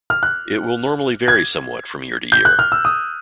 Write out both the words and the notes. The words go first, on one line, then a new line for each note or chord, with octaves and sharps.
It will normally vary somewhat from year to year.
F6
F#6
G#6
G6
F#6
F6
E6
D#6